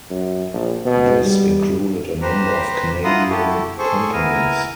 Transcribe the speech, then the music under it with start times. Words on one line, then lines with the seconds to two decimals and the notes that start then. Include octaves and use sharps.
This included a number of Canadian companies.
0.10 F#2
0.53 A#1
0.85 B2
1.24 G3
2.22 G4 B4 C5 A#5
3.04 E4 F4 F#5 A#5 C6 D#6
3.30 E4 F#4 G4 A4
3.78 G#4 A4 C5 C#6
4.13 B3 E4 A#4 G#5 A#5